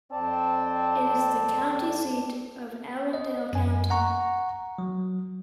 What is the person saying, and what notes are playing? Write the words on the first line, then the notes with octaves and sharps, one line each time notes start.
It is the county seat of Allendale County.
F2 C4 D5 A5
D#5
F#2 G#5
F#5 A#5 C#6
F#3